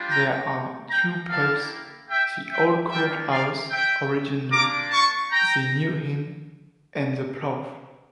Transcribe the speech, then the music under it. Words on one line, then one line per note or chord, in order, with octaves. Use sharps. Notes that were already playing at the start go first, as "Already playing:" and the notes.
There are two pubs: "The Old Courthouse" originally "The New Inn" and "The Plough".
Already playing: G3 D4 F4
G5 A#5
G5 A#5
A#3 E4 G4 F5 A5
E5 G5
E5 G5
A#3 D4 F4 E5 G5
D5 F5
E5 G5
A#3 D4 F4 A#5 D6
A5 C#6
G5 A#5